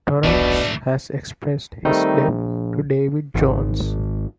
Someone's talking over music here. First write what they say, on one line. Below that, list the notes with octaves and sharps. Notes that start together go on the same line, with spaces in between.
Torrance has expressed his debt to David Jones.
D#1 B1 B2 E3 A3 D4
D#3 G3 A3 C4 D#4
A#1
G#1